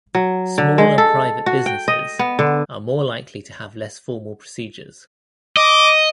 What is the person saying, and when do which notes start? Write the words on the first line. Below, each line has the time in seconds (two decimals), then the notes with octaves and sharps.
Smaller private businesses are more likely to have less formal procedures.
0.15 F#3
0.58 D3
0.78 G#3
0.98 A4
1.46 F#4
1.66 G5
1.88 D#5
2.19 B3
2.39 D3
5.57 D#5 D6